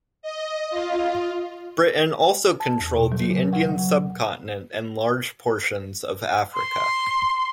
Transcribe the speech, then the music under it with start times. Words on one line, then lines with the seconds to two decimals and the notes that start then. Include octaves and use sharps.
Britain also controlled the Indian subcontinent and large portions of Africa.
0.22 D#5
0.70 F4
2.60 A5
2.79 E2
2.96 B2
3.12 F#3
3.30 C#3
3.53 F#5
3.70 F#3
6.54 C6